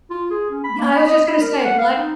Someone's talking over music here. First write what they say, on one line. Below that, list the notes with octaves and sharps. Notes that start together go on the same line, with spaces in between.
Yeah, I was just gonna say black
F4
G#4
C#4
B5
A#3
B5
D#5
B5
A#4
F#5
F5
D#4